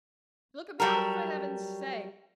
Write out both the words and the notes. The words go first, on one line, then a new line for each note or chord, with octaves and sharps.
Look about, for heaven's sake!
F#3 G3 A4 A#4